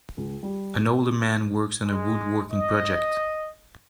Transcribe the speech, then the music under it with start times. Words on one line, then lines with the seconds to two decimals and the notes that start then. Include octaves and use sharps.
An older man works on a woodworking project.
0.17 C#2
0.43 G3
1.86 G#3
2.51 D#5